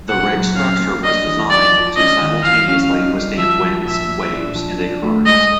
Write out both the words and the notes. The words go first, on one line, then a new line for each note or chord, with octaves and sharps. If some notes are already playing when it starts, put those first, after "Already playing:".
The rig's structure was designed to simultaneously withstand winds, waves, and a current.
A#2 F#5
F#3
C#4 F5
A#3
D4 D#5
E3
D#4 D5
F3
C#4 D#5
D#3
E3 F5
C#4
D#4
G3
F3 E5
F3
A#2 E5
A#2
D4
F3
D4
A3
G#3 D#5